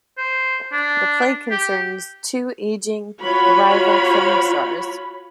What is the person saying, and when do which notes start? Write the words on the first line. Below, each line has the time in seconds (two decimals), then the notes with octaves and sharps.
The play concerns two aging rival film stars.
0.18 C5
0.72 D4
1.51 G4
3.22 F4 F#4 C#5 B5